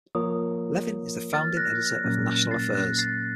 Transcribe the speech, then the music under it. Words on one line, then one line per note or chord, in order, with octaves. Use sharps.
Levin is the founding editor of "National Affairs".
F3 A#3 F4 A#4 C#5 D#6
F6 A6
F#6 A#6
A#2 F#3 A#3 C#4
A6 C7
F#6 A#6
A6 C7